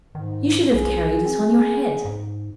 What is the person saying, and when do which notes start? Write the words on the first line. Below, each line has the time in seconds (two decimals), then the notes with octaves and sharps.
You should have carried it on your head.'
0.15 G#2 D#3
0.74 B1 G#4
1.25 C4
2.05 G#2